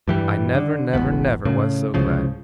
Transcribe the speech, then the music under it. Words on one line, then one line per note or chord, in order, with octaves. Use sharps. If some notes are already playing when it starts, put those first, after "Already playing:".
'I never, never, never was so glad!
G2 E3 G3
D3
E1 A1 F2 B3
A2 C#3
C2 G#2 C#3 F3